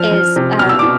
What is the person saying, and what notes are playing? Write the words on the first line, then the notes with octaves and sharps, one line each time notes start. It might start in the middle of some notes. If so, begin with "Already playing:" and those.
is, um,
Already playing: F3 F6
F3
C3
B2 F6
E6
B2 D6